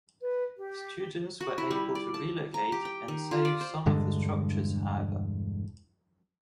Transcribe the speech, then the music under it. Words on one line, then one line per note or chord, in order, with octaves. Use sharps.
Students were able to relocate and save some of the structures, however.
B4
G4
F#4
E4
G3
D5
A5
A#5
G4
G5
D#3
F4
D5
C5
E1 G2 D3 G#3